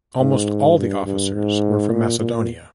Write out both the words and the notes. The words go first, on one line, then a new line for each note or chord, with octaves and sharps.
Almost all the officers were from Macedonia.
G#2
G2
G2
G#2
A#2
A#2